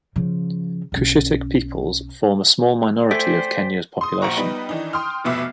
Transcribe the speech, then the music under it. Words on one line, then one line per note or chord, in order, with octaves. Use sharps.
Cushitic peoples form a small minority of Kenya's population.
C#3 F3
B1 C#4
A3 C5 D5 G5 G#5 B6
C6 D#6
A#1 C5 F5 F#5 A#5 C#6
G3 B3 D#4 B4
D#3 E3 D4 D#4
G5 C6 D#6 F6
F1 B2 B3 E5 D6 C7